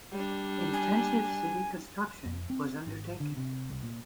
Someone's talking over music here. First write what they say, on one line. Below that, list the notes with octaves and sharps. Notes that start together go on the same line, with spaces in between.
Intensive city construction was undertaken.
G3 D4
G#5
F2
C4
G#1
D3
C3
C2
A#2